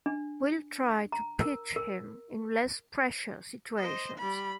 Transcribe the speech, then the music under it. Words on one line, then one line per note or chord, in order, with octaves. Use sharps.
We'll try to pitch him in less pressure situations.
D4
A#5
A#4
A#4
C5 D#5
G3 B5